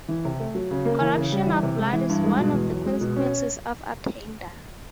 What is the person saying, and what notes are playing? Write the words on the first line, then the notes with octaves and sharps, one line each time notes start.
Corruption of blood is one of the consequences of attainder.
E3
C3
A3
F#3
C#3
A#3
E3
C#3
G3
E3
C3
G#3
E3
G2
G#3
B2
E2
F#3
G#3
B2
C#4